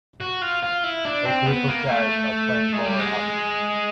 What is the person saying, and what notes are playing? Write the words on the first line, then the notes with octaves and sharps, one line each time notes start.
A group of guys are playing roller hockey.
F#4
F4
F4
E4
D4
C4
B3
A#3
A3
G#3
G3
G#3